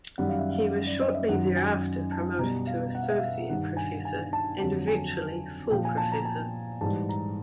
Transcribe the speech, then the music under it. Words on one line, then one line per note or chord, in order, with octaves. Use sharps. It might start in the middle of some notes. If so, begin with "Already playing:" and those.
He was shortly thereafter promoted to associate professor and eventually Full professor.
F#2 D#3 G3 F#5
F5
E5
F5
D5
D#5
E5
F#2 D#3 F#3 F#5
G#5
A5
B2 G3 A#5
F5
F#5
F5
E5
F5
G2 D#3 G3 F#5
G#5
G#5
A5
F2 D3 F#3 A5
G#5
A#2 F3 G5
G#5
A5
A#5
A5
G#2 E3 G3 A5
A#5